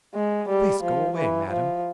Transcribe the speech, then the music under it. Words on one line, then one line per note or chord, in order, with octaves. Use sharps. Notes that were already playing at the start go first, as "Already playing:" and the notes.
"Please go away, madam!"
G#3
G3
F3
E3
F3